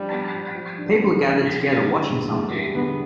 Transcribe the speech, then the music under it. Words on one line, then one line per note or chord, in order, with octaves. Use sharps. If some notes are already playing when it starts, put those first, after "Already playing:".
People are gathered together watching something.
Already playing: F3 G3 D4
B3
F3
F3
D4
B3
F3
E2
G3
D3
E2
E2 A3
G3
D3 B3